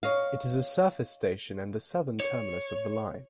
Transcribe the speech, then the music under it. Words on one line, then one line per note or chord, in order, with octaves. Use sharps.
It is a surface station and the southern terminus of the line.
C#5 D#5 F5
C#5